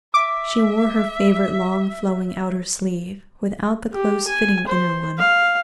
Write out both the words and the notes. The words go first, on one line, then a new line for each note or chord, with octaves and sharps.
She wore her favorite long flowing outer sleeve, without the close fitting inner one.
E5 D6
G4
G#5
C5
F5